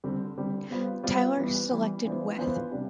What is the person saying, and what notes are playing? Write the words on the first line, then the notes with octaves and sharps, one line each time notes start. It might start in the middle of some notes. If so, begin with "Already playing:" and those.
Tyler selected Wyeth.
D3 G3 C4
D3 G3 C4
G3 B3 F4 C5
G3 B3 F4 C5
E3 G3 B3
E3 G3 B3
E3 B3 D4 F4 C5
E3 B3 D4 F4 C5
C3 G3 D4 F4